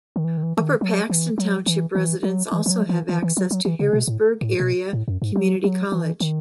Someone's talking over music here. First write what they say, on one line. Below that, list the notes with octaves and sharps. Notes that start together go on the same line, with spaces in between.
Upper Paxton Township residents also have access to Harrisburg Area Community College.
D#3
E3
D#3
E3
E3
D#3
F#3
E3
F#3
E3
E3
F#3
E3
E3
F#3
E3
E3
E3
F#3
F#3
E3
C#3
B2
A2
A2
B2
A2
F#2
G#2
F#3
F#3
E3
D#3